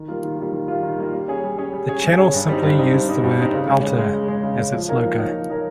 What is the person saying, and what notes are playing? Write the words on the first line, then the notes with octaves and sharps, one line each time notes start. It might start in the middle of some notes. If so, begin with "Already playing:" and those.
The channel simply used the word 'Alter' as its logo.
Already playing: D#3
G3 A#3 F4
D#3
G3 A#3 F4
D#3
G3 A#3 F4
D#3
G3 A#3 F4
G3
C#4 G#4 C#5
G3
C#4 G#4 C#5
G3
C#4 G#4 C#5
G3
C#4 G#4 C#5
G2
G3 C4 D#4
G2
G3 C4 D#4
G2
G3 C4 D#4
G2
G3 C4 D#4
C#3
G#3 C#4
C#3
G#3 C#4
C#3
G#3 C#4
C#3
G#3 C#4
F3
A#3 D#4 A#4 C#5
F3
A#3 D#4 A#4 C#5
F3
A#3 D#4 A#4 C#5